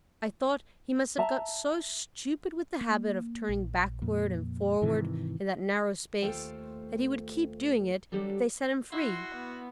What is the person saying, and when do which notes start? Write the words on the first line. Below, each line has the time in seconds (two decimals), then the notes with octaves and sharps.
I thought he must have got so stupid with the habit of turning backward and forward in that narrow space that he would keep doing it if they set him free.
1.18 E5 A5 A#5
2.81 A#3
3.49 A#1
4.02 F2 A#2
4.82 G#2 C3 D#3 E3
6.22 D#2 A3 F4 A4 C5 G5
8.12 F#3 G3 D4 G4 A4
8.92 E4 F#4 C6
9.35 B3